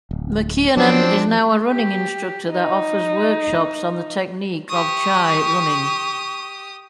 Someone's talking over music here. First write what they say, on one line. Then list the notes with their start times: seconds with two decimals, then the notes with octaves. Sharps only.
McKiernan is now a running instructor that offers workshops on the technique of ChiRunning.
0.11 D1
0.77 F3 F#3 C4 D4
1.69 G4
2.49 D#4
4.69 G4 C#6 D#6